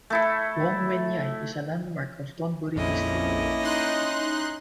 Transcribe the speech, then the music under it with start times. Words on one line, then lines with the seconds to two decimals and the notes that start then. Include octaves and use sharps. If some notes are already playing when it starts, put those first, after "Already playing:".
Wong Wein Yai is a landmark of Thonburi District.
0.10 A3 E4 A4
2.76 A#1 F2 A#3 C#4 E4 D#5
3.63 D#4 C6 F#6